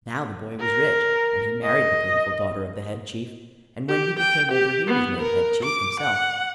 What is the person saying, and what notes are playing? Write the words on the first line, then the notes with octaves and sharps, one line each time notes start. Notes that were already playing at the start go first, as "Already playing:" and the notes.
Now the boy was rich, and he married the beautiful daughter of the Head Chief, and when he became older he was made Head Chief himself.
A#4
D#5
G4
G5
G4
B3
A#4
D6
F#5